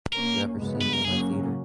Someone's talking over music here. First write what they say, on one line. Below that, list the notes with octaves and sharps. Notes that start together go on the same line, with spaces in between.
Did you ever see me in the theater?
A#2 A#3 C#4 A#4
F#2 C#3 G#3 B3
B4
A#4
C#3 F#3 A#3 C#4 G#4